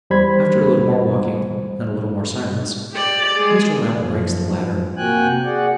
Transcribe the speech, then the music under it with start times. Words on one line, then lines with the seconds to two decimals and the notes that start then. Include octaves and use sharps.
After a little more walking and a little more silence, Mr Lammle breaks the latter.
0.10 E2 G3 C5 B5 G#6
2.92 G4 D5
3.35 G#3 G#4
3.91 F#2 F3
4.97 C3 A#3 F#4 G5 G#5 F#6
5.44 F#4 G#4 D5 F#5